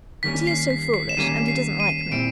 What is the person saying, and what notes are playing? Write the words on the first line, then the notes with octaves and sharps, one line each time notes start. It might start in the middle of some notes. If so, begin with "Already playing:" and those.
But he is so foolish, and he doesn't like me.
D#3 G3 A#3 C#4 B6
C7
C7
B6
C7
E7
D#3 G3 A#3 C#4 D#7
C7
D#7
A#2 G3 C4 E4 D7